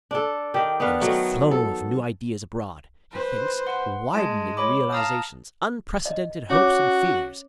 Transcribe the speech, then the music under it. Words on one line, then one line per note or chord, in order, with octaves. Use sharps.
There is a flow of new ideas abroad, he thinks, widening realizations, unprecedented hopes and fears.
D4 A4
D#3 G4
B3 D4 B4 F5
D#3 F#3 A3
A4
B4 C5
F#5 C6
G#3 A5
C#5 B5 D6
F5 A5 A#5 D#6
D#5
C#4 F#4 C#5 D6